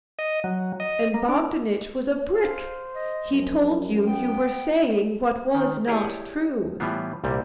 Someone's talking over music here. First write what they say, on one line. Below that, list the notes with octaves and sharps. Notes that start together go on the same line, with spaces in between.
And Bogdanich was a brick: he told you you were saying what was not true.
D#5
F#3
D#5
A#3
D4
C5 F5
D#5
F#2 F3
B3 G5
D#3
E4 G4 G#4 C#5 D5
A2 E3 G3 B3 F4
C2 A#2 G3